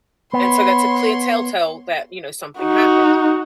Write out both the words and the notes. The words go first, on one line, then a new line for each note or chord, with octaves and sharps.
and so that's a clear telltale that, you know, something happened.
B3 C#5 B5 C6
D#4 F#4